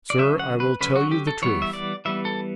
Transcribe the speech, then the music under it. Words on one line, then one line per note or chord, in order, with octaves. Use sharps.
'Sir, I will tell you the truth.
D5
D3 F#3 C#4 E5
F#5
B4
D3 F#3 C#4 B4
F#4
G4
A4
E3 G3 B3 C#5
E5
D5
E3 G3 B3 E5
A4